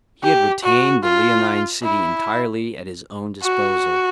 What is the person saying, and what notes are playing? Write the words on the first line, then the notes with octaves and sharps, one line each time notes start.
He had retained the Leonine City entirely at his own disposal.
G4
F#4
F4
E4
F#4